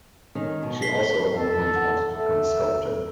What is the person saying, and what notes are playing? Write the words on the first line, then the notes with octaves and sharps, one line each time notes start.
She also at one point wanted to become a sculptor.
D#3 C#4
B2
B6 C7 G7
A4
F#5
A4 E5